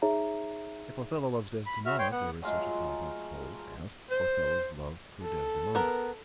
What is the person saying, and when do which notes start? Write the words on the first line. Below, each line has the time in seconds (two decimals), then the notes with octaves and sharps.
If Othello loves Desdemona, there is such a complex whole as 'Othello's love for Desdemona'.
0.02 D#4 G#4 C#5 E5 A#5
1.66 B5
1.86 F#4 E5 F6
1.99 C#5 G5 C6
2.12 B3 F#5
2.42 F#3 G#3 A3 F4
4.11 C5
5.23 A4
5.75 B3 A#4